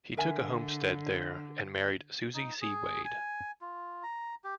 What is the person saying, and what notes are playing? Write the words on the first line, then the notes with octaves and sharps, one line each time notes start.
He took a homestead there and married Susie C. Wade.
D3 A#4 E5 G#5
D#4
G#4
G#5
F4
A#5
G4